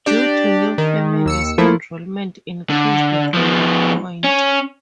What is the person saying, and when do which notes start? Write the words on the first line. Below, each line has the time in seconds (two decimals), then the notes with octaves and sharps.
Due to new families enrollment increased from that point.
0.06 D4 G4 D5
0.78 D#3
1.25 D#2 E6 C#7
1.58 F3 A3 A#3 E4
2.70 D3
3.34 F3 B3
4.24 C#4